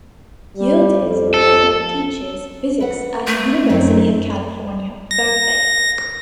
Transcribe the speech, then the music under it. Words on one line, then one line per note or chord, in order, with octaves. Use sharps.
Yildiz currently teaches physics at University of California, Berkeley.
G3
F2
A4
B4 F#5
A3
F#2 C4 D#4
A#6